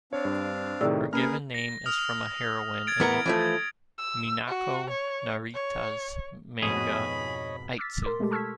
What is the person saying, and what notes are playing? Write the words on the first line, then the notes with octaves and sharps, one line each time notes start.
Her given name is from a heroine in Minako Narita's manga "Aitsu".
C4 D4 C#5 F5
G2
A2 C3 D#3 G#4 D5 E6
A#3 C#4 G#4 A#4 B4 F6
A#6
D#6 F6 F7
G#6 A6 D7
E2 B3 A#4
E3 F3 A3
E6
F#4
C#5
C#5
F2 G#2 B2 G#4 C#5 D#5 B5
D6 E6 F6 A6 B6
A#4 C6 D6
B2 G#3 A3 G4 A4
A5 C#6 E6 F6 G#6 B6